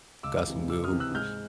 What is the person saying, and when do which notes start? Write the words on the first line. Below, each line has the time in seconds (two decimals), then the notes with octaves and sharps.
Got some good hoopers.
0.23 C#2 D6 E6
0.47 C3 E3
0.69 C#2 D6 E6
0.84 D#6 F6
0.92 C3 E3
1.00 E6 F#6
1.15 G#2 F6 G6